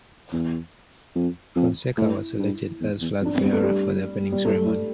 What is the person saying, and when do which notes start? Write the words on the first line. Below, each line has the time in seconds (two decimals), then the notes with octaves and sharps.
Fonseca was selected as flag bearer for the opening ceremony.
0.33 E2
1.16 F2
1.56 F2
1.97 A2 E4
2.39 G2
2.81 E2
3.01 E2
3.22 F2
3.25 D4
3.35 C4
3.42 G2 B3
3.53 A3
3.63 G2 G3
4.32 G3
4.45 A2 A3
4.65 A2